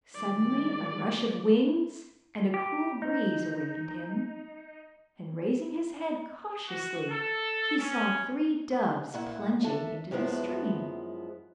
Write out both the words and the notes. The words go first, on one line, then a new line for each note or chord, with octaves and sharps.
Suddenly a rush of wings and a cool breeze awakened him, and raising his head cautiously, he saw three doves plunging into the stream.
D#3 G3 G#3 D5
G4
D#4
F#4
A4
C#4
A#2 E4 F#5
D4 A4 E5
F#2 F3 G#3 B3 E4